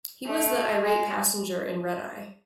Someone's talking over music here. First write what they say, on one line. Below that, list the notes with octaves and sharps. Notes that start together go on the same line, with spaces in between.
He was the Irate passenger in "Red Eye".
A3
G#3